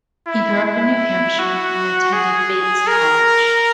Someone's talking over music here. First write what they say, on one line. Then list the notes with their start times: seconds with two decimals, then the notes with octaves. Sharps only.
He grew up in New Hampshire and attended Bates College.
0.27 E4
0.64 E4
1.39 F#4
2.13 G#4
2.87 A#4